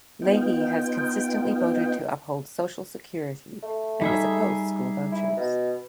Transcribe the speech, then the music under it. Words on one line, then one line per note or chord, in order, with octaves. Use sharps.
Leahy has consistently voted to uphold Social Security and has opposed school vouchers.
B3 D#4 F4 G5
A3
G3 D#4 G#4 E5
E4
B2